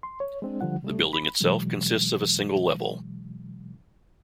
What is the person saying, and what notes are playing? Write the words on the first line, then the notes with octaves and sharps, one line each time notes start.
The building itself consists of a single level.
C6
C#5
G#3 C4 D4
D3 F3 G3 F#5
C3 G3 A3
B5
B2 E3 F#3 G#3